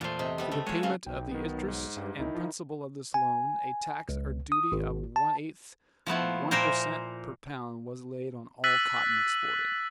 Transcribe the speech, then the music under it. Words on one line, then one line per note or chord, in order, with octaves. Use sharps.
For the payment of the interest and principal of this loan a tax or duty of one eighth of one per cent. per pound was laid on all cotton exported.
E2 A#2 A3 C5
C3 D#5
G3 B3 C4
D2 C#3 A3
G#3 F4 F#4 C#5 E5
C#3 A3 C4 F5
B1 G5
D#3 B3
G#2
G2
C#2 D#3 D#4 E4
F3
G#5
C#2
D#6
G#1
A5
F3 A3 B3 E4
A#2 A#4 C5 G5 G#5 A#5
E6 F#6 A6 B6 D#7 F#7